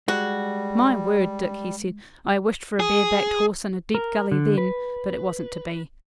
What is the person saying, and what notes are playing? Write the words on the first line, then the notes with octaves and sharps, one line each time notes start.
'My word, Dick,' he said, 'I wished for a bare-backed horse, and a deep gully, then; but it wasn't to be.
G3 G#3 F#4
G#4
A#4
D3
B4